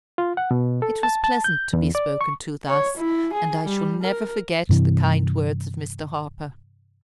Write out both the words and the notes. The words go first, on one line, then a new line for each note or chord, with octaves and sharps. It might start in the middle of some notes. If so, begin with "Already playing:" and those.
It was pleasant to be spoken to thus, and I shall never forget the kind words of Mr. Harper.
F4
F#5
B2
A4
A5
A5
G6
E2
D5
C#6
C#5
E4
G#4
G3
A#4
G2 C3 E3